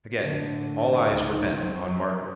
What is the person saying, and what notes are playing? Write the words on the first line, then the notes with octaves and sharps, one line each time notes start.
Again all eyes were bent upon Margaret.
A2 D3
C#2 D#4
F#3 C4